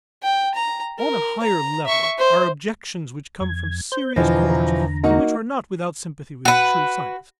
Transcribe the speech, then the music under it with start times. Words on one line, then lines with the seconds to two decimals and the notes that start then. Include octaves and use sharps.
On a higher level are objections which come from serious quarters and which are not without sympathy with true science.
0.23 G5
0.55 A#5
0.99 A#4
1.43 A#5
1.86 E5 C#6
2.18 C5
3.41 F2 G#6
3.92 C5 G6
4.16 E2 B2 D3 E3 F3 A#5
5.03 A#3 D#4 F#4
6.45 F#4 B4